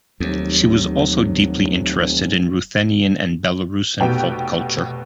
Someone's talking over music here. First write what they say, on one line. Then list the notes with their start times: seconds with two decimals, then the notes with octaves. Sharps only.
She was also deeply interested in Ruthenian and Belarusian folk culture.
0.20 F1 D#2 F#3
4.00 F1 B2 B3 G4 G5